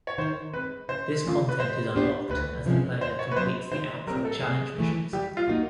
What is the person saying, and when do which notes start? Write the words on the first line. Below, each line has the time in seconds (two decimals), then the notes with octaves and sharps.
This content is unlocked as the player completes the OutRun Challenge missions.
0.07 C#5
0.18 D#3 C5
0.53 G#3 C4 B4
0.88 C#3 C5
1.25 E3 A3 C#4 F4
1.49 B4
1.60 G#3 C5
1.95 B3 D4 G4 C5
2.30 D2 B4
2.66 C3 F3 G#3 C#4
3.01 D#2 C5
3.19 C#5
3.32 B4
3.36 C#3 F#3 B3 C5
3.71 D#3 C5
4.07 G3 A#4
4.10 C4
4.25 A4
4.43 C3 G#4
4.78 E3 A3
5.13 G3 G4
5.37 F4
5.48 A#3 D#4 F#4